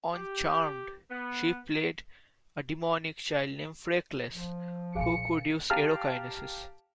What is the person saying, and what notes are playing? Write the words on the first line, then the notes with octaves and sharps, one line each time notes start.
On "Charmed", she played a demonic child named Freckles who could use aerokinesis.
G4
B3
F3
D#1 A#1 G#4 F5 G#5 C#7
G4 F5 A5 A#5 F6